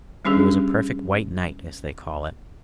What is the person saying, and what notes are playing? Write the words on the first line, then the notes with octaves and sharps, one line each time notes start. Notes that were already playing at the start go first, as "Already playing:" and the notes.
It was a perfect white night, as they call it.
G3 C#4 D4 G4 G#4